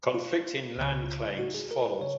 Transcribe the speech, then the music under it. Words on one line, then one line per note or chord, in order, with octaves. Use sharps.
Conflicting land claims followed.
F4
C#2 C#3
F#4
G#4
A#4
B4
C#3 C#5